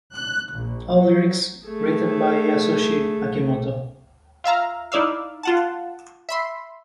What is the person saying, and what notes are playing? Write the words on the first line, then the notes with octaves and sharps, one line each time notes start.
All lyrics written by Yasushi Akimoto.
F#6
A#1
F#3
A3 G#4
F4 E5 F5 A#5
D#4 E4 D5 E5 F5
F4 F#5 A5
E5 B5 C6